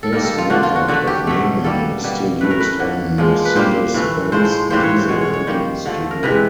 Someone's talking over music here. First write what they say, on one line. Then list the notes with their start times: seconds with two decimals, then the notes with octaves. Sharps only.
This method of naming is still used on Mercedes-Benz diesel engines today.
0.03 A4
0.12 D#3 G3 A#3 A#4
0.25 A4
0.38 F4
0.50 D3 F3 A#3 F#4
0.63 F4
0.76 F#4
0.88 D3 F#3 A3 F#4
1.07 G4
1.27 B2 F#3 A3
1.64 B2 G3 A#3 A4
2.04 B2 G3 A#3
2.41 A2 E3 A3 B4
2.50 A#4
2.60 B4
2.79 D3 F#3 A#3
3.18 A#2 F3 G#3
3.45 B4
3.56 A#2 G3 A#3 C5
3.94 A2 E3 A3
4.32 A2 F3 G#3 C5
4.45 C5
4.70 A2 E3 G3 A#3 C5
4.83 C#5
4.96 C5
5.08 B2 G#3 C#5
5.21 C#5
5.33 C#5
5.47 D#3 G3 A#3 C5
5.85 D3 F3 A3
6.11 A#4
6.23 C3 E3 G#3 B4